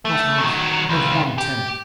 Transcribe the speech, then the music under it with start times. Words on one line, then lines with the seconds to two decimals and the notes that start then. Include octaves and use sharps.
Not half--not one-tenth.
0.05 A3
0.38 D#3 F#3
0.89 C#2
1.38 G4